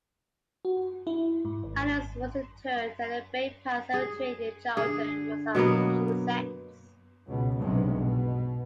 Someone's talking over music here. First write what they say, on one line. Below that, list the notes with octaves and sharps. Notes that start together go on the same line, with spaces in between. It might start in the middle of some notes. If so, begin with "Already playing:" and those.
Adams was interred at the Bay Path Cemetery in Charlton, Massachusetts.
F#4
E4
G#2
G#1
G#4
D3 G#4
B2 F#3 A#3 B3
C#2 B2
B1 G2 C3 G#3
B2